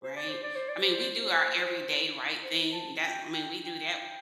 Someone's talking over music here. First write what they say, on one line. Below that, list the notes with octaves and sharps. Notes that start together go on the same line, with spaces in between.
right? I mean, we do our everyday right thing, that I mean, we do that
C5
D5
C5
D5
C5
D5
C5
C5
C5
A5
G5
G5
G5